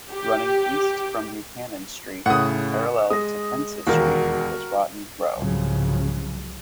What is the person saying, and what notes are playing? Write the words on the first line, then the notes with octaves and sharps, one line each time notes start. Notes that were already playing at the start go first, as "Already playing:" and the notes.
Running east from Buchanan Street and parallel to Prince's Street was Rotten Row.
G4
A2 C#3 F#5 D#6
G#3 D#6 A#6
E1 D#2 F#4 A#4
C2 G#2 C#3 F3 F#3